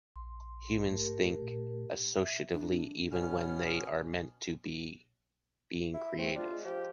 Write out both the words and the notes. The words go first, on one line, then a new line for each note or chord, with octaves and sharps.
Humans think associatively, even when they are meant to be being creative.
A#1 C6
G#2 A3 G4 A#4
A#2
E5
D4
B2 B3 C#4 F6
E4
A3 C4
D4 F4
G#3
F3 G4